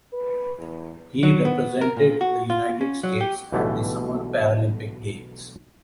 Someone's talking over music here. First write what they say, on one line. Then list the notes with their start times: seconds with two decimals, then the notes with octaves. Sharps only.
He represented the United States at the Summer Paralympic Games.
0.13 B4
0.58 E2
1.23 F#3
1.45 B3
1.81 A#4
1.96 A#2
2.21 F#4
2.50 F4
2.81 C#4
3.03 F#3
3.21 G4
3.52 B1 B2 D3 E3 G3 A3